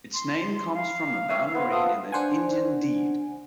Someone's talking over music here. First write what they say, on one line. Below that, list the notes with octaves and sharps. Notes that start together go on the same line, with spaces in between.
Its name comes from a boundary in an Indian deed.
C6
F5
C#5 E5
B3 C5
F4 A4 D#6
D4 C5 F#5 G#5